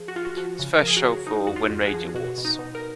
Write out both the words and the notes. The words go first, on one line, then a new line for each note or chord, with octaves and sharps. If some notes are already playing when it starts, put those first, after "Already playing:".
His first show for When Radio Was!
Already playing: F3 G#4
F#4
F3 F4
F#4
F3 F#4
C#3
F3 A#4
G#4
F#4
C#3
F3 D#4
F2 F#4
F4
F2
G#4
F#4
F3
B2 F#4
B2
D#4
B2
A#4